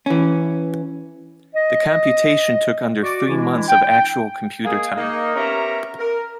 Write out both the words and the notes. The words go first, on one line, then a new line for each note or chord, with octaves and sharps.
The computation took under three months of actual computer time.
E3 C#4
D#5
F#4 D5 D6
E3 G#3 D4 E4
G5
G#3 A#3 G#4
A#3 D#4
B3 C#4 G4 A#4 E5 A#5
A#4